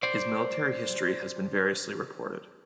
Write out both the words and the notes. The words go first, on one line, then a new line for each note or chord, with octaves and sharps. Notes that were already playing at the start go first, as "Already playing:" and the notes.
His military history has been variously reported.
C5 D5